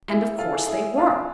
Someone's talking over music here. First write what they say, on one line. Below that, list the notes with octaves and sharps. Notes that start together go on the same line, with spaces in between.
And of course they were.
E4 G#4
F4 A4
E4 G#4
E4 G#4
D4 F4